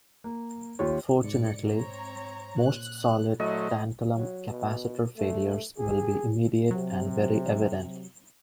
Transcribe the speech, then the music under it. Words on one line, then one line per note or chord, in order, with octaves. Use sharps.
Fortunately, most solid tantalum capacitor failures will be immediate and very evident.
A#3
D#2 F4 G4 C#5
G#2 D5 C#7
C4 C#5 A#5
A#2 F#6
F#3 A3 E4 C5 D#5
F#3
B2
A3
G#4
C3 F#3